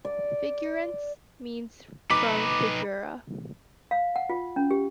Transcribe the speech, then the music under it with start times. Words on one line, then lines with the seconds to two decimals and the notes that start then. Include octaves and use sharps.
Figueirense means "from Figueira".
0.05 D5
2.10 D#4 B4 D6 B6
3.91 F5
4.16 F#5
4.29 F4
4.56 C#4
4.71 G4